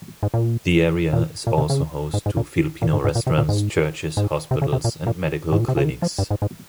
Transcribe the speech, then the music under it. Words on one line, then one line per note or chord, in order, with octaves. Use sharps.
The area is also host to Filipino restaurants, churches, hospitals and medical clinics.
G#2
A#2
A#2
A#2
C3
C#3
G#2
G#2
A#2
A#2
G#2
G#2
A#2
C3
A#2
G#2
G#2
C3
C#3
C3
A#2
A#2
G#2
A#2
C3
C#3
D#3
F3
G2
G#2
G#2